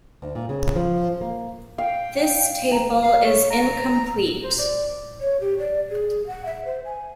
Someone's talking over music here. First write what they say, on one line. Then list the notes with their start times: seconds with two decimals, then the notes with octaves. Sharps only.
This table is incomplete.
0.22 D2
0.35 A#2
0.49 C#3
0.75 F3
1.21 A#3
1.78 F5 G5
2.71 A#5
3.03 F5
3.24 C#5
3.50 A#5
4.44 C5
4.58 D5
5.20 C#5
5.41 G4
5.59 D5
5.90 G#4
6.27 F#5
6.46 E5
6.65 C5
6.85 G#5